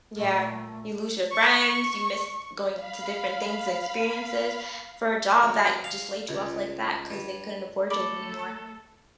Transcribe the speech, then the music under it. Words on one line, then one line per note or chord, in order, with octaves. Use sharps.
Yeah. You lose your friends, you miss going to different things experiences for a job that just laid you off like that 'cause they couldn't afford you anymore.
A#2 A3
C#6
F5 B5
F#3
F5
C#2
G2
A3 A4 B5 D6